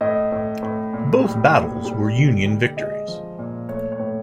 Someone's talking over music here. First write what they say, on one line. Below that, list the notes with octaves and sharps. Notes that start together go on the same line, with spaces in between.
Both battles were Union victories.
A2 D#5
A2
A2
A#2
G3
A#2
G3
D3
G3
G#3 D#5
F3
A#2
A3 C#5
C#5
A2